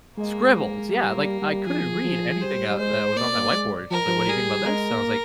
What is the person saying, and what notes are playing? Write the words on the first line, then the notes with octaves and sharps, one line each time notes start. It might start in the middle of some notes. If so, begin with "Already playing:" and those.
scribbles. Yeah, like, I couldn't read anything out that was on that whiteboard. She's like, "What do think about this?" So I was like,
G#3 A#3
G3 A#3
G3
G3
F3 G#4
F3
G3 C5
G3
G#3 C5
A#3 D5
A#3
G#3
F3 A#4
F3
G3 G#4
G#3 A#4
A#3